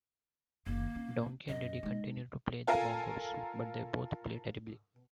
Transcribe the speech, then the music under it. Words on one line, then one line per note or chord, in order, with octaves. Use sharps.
Donkey and Diddy continue to play the bongos, but they both play terribly.
F#1 D#3 A#3
C#4
F#2 D#5
G#3 D#4
F4 A4 A#4 F5 G#5 A#5